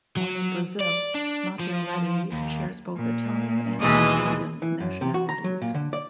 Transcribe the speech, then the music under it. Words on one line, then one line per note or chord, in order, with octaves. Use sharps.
Born in Brazil, Maffioletti shares both Italian and Brazilian nationalities.
F#3
D5
D4
F3
D#2
A#2
D#2 B2 E3 G#3 D#5
E3
F#2
C3
F#4
A#5
F#3
A#2
D3
D5